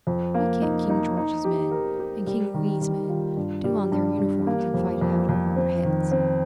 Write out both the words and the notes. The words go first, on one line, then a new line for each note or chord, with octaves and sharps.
"Why can't King George's men and King Louis' men do on their uniforms and fight it out over our heads?"
F2
A#3
D#4
D#4
D#4
G4
A#4
G4
G3
D#3
G3
F4
G2
G3
G2
G3
A#3
F2
F2
F2
C4
D#3
C4